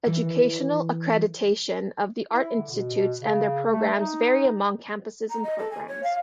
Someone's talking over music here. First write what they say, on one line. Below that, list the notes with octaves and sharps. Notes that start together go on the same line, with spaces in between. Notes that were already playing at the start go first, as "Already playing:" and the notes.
Educational accreditation of The Art Institutes and their programs varies among campuses and programs.
E3
E4
D3
B2
B2
C#3
A3
D#4
A#5
D#5
A4
G#5
C#5
F5